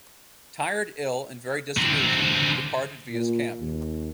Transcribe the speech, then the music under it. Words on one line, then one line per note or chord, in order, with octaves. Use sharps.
Tired, ill, and very disillusioned, he departed Villa's camp.
D3 C4
A#2
D#2